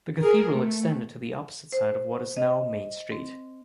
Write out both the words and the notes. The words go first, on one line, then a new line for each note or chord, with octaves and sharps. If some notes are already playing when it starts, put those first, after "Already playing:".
The cathedral extended to the opposite side of what is now Main Street.
G#4 A#4
A3
C5
D#5
C4